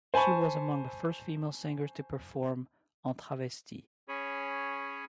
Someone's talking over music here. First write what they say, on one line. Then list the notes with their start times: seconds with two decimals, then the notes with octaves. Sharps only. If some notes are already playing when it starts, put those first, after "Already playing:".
She was among the first female singers to perform "en travesti".
0.14 C5 G#5 A5 B5 C#6
4.08 C#4 G#4 C#5 G#5 B5